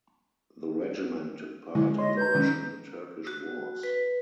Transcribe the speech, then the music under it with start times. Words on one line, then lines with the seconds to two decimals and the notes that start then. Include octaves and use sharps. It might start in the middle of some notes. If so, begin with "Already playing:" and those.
The regiment took part in the Russian–Turkish Wars.
1.75 D3 G#3 E4
1.99 C#5 D#5 C6
2.17 B4 A#5 G6
2.35 D#3 G#3 C#4 D#4
3.27 F#4
3.83 B4